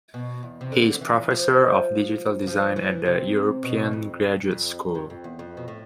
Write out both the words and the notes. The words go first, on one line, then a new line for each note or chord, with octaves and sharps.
He is Professor of Digital Design at The European Graduate School.
B2
E2
C3
D3
E3
F3
F3
E3
C3
B2
F2
F2
G2
F2
E2
F2
B2
A2